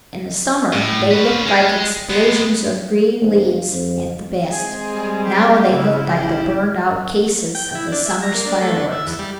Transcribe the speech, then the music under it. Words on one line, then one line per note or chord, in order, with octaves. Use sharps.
In the summer they looked like explosions of green leaves at the best; now they looked like the burnt-out cases of the summer's fireworks.
A2
C#4 B4
G#3
G#3 B3
F1
F2
G#3 C4 G#4
G3
G4
C#3 C#4 E4
A#1 C#4 E4 G4
G5
E4
D4
E5
A#5
A#3
D4
A3
D4
E5
E2
G3